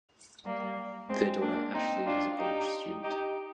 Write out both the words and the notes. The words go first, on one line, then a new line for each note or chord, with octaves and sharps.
Their daughter Ashley is a college student.
G3 A#3
G#3 C4
A#3 D4
C4 D#4
D4 F4
D#4 G4
D#4 G4